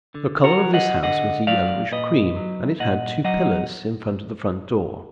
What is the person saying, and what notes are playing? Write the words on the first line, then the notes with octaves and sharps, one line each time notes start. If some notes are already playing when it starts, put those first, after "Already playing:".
The colour of this house was a yellowish cream, and it had two pillars in front of the front door.
D3
F#4 A#4
F#3
D#5 F#5
D3 D#5 F#5
F#3 D5 F5
A#2 B4 D#5
F#3
A#2 D#5 F#5
F#3 D#5 F#5